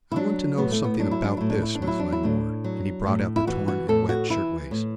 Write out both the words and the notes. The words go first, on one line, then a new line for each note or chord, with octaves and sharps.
"I want to know something about this, Miss Langmore," and he brought out the torn and wet shirtwaist.
E4
F#3 D4
A2 B3
A3
B3
F#3 D4
E4
D4
A2 E4
D4
E4
D4
F#3
E4
D4
E4
A2 D4
F#3
A2
E4
E3 F#4
F#4
A2 A4
F#4
E3 E4
A2